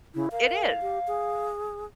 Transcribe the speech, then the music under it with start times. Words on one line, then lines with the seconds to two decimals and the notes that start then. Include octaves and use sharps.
It is.
0.15 C#3 E4
0.32 A#4 F5
0.82 G4
1.07 G#4